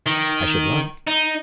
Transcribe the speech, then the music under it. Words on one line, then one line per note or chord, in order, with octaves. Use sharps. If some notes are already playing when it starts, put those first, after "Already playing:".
"I should like."
D#3
D#4